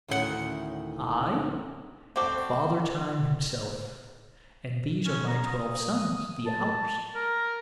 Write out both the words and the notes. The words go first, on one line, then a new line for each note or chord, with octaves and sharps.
I am Father Time himself, and these are my twelve sons, the Hours.
D2 A2 D#3 C#4 G4 F#5
C4 D4 F#4 G4 A4
C#4
A#5
D#6
A5
A#4